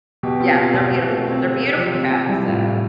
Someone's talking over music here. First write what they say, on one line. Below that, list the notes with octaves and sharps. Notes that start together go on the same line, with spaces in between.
yeah, they're beautiful. They're beautiful cats, so
B2 G4
C4 F4
C4 F4
B2 F4
B2
A3
C4
C3
C4
F3 F4
C3
F4
C3
G3 E4
A2 F4
A2